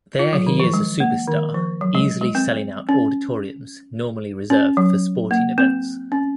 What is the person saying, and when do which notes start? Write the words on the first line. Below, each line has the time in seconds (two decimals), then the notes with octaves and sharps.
There he is a superstar easily selling out auditoriums normally reserved for sporting events.
0.19 F4
0.33 F#3
0.47 D#3
0.60 F3
0.74 G#3
1.00 A#3
1.28 D#3
1.54 F3
1.81 F#3
1.95 G#3
2.21 G#3
2.35 C4
2.89 C#4
4.50 C#4
4.77 F#3
5.31 A#3
5.58 C4
6.12 C#4